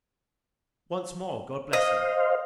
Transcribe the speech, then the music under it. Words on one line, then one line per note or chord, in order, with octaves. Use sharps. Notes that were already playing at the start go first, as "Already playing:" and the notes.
Once more, God bless you!
C5 D#5 F5